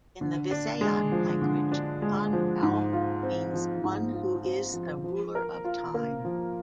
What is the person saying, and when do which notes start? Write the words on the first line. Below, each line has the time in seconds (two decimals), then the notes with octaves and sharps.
In the Visayan language, Kan-Laon means One Who Is the Ruler Of Time.
0.21 D3
0.51 D4
0.81 G#3
1.12 F3
1.42 D3
1.72 D4
2.02 G#3
2.33 F3
2.63 G#2
2.93 F4
3.23 C4
3.54 F3
3.84 G#2
4.13 F4
4.44 C4
4.74 F3
5.04 F3
5.35 A#4
5.65 F4
5.94 A#3
6.25 F3